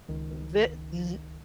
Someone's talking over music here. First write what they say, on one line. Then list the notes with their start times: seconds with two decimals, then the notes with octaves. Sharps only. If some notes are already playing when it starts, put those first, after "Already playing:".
Thi th
0.09 C#2 D#3